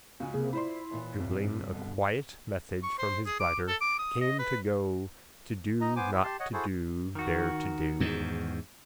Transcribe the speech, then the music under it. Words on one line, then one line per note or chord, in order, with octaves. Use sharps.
Dribbling a quiet message from his bladder came to go to do not to do there to do.
C#2 C#3 F#4 G#5
C3 A#3 G#4
E4 F4 C5 D5 B5 C6
D#2 A#2 E3
C2 G2
B2 D3
C#6
C5
G#4
D6
A4
D6
D#6
D#5
B4
D#4 D#5 A#5
B3 C5 G#5 D6
E4 E5
G4 A5 C6
C#5 D#5 F#5
E4 F#4 G#4 A4 C5
D#3 F#4
E2 G#2